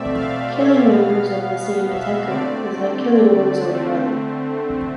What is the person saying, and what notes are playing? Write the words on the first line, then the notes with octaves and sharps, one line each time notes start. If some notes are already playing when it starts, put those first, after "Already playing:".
Killing members of the same Ateker is like killing one's own brother.
Already playing: B2 A3 C4 D5 E5
F5
B2 B3
E5
D3 A3 C4 D5
D3 A3 C4